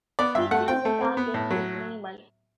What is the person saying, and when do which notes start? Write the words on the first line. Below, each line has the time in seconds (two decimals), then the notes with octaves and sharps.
Heating of the target is minimal.
0.19 B3 D5
0.35 G2 E5
0.51 A3 F#5
0.68 C4 G5
0.85 A3
1.01 C4
1.17 B3
1.34 A2
1.51 F#3